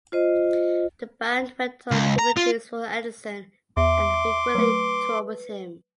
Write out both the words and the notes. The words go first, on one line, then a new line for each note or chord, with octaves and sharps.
The band went on to produce for Anderson and frequently tour with him.
F4 C5 D#5
C#2
A#5
F4
E2 E5 C6 D6
F#3 A3 B4